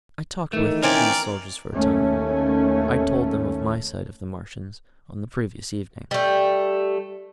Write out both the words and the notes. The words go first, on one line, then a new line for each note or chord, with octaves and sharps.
I talked with these soldiers for a time; I told them of my sight of the Martians on the previous evening.
D#3 E3 A3
E3 C4 C#4 A#4 D5
D#2 A3 C#4
G3 A3